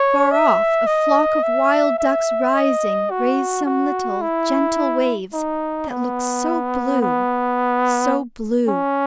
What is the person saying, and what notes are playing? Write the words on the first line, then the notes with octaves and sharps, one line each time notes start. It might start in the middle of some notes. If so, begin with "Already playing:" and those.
Far off a flock of wild ducks rising raise some little, gentle waves, that look so blue, so blue!
Already playing: C#5
E5
D#5
E5
E5
D#5
F#4
F#4
E4
D#4
B3
B3
C#4